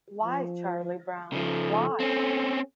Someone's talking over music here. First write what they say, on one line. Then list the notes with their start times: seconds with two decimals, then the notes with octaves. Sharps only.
Why, Charlie Brown, Why?
0.24 F3
1.32 C#3 F3 A4
2.00 C4 C#4